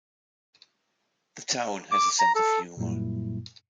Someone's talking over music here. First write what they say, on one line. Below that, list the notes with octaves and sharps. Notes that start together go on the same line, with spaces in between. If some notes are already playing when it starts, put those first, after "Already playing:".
The town has a sense of humor.
D6
A#5
A4
F#2 A#2 F#3 G3 A#3 E4